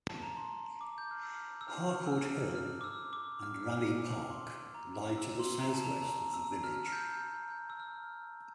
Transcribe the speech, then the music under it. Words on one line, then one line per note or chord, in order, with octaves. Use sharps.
Harcourt Hill and Raleigh Park lie to the southwest of the village.
A5
A#5
C6
D6
G6
F6
E6
E6
F6
E6
F6
F6
D6
E6
D6
E6
F6
F6
E6
D6
C6
A#5
E6
C6
A#5
A5
A#5
A#5
E6
F6
F6
G6
G6
F6
G6
E6
F6